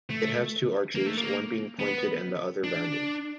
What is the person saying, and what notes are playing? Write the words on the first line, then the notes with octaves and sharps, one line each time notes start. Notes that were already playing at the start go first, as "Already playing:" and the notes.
It has two arches, one being pointed and the other rounded.
A3
A#3
A3
A#3
B3
D4